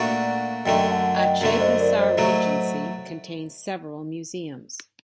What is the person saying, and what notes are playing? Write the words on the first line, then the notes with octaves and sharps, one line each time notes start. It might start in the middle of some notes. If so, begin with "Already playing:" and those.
Aceh Besar Regency contains several museums.
Already playing: A#2 A3 D4 F#4 D5 F#5
F#2 D3 A3 D#5 G5
F#5 A5
D#5 G5
F#2 D3 A3
C5 D#5
A#4 D5
C5 D#5
A2 F#3 A3